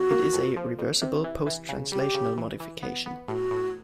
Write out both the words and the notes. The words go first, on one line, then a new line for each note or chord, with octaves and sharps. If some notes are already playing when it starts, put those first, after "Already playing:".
It is a reversible post-translational modification.
Already playing: F2 F#4
A#3
F2
F3
F2
C3
E3
E3
C#3
G3 G4
C#3
E3
E3
B3
B3
A2 F#4 G4
A2